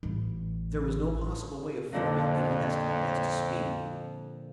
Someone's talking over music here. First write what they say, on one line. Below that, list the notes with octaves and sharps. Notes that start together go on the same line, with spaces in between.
There was no possible way of forming any estimate as to speed.
A1 E3
F2 A#2 D3 F3